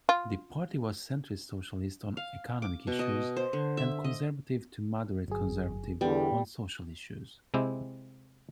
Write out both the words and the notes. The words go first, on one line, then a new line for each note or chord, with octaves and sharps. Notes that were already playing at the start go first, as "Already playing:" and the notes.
The party was centrist-socialist on economic issues and conservative to moderate-conservative on social issues.
F4
F5
D6
B2
D#5
C5
D3
E5
D#5
G1 F#3 G#4
E2 D3 G3 B3
C3 G#3 C4 E4 G4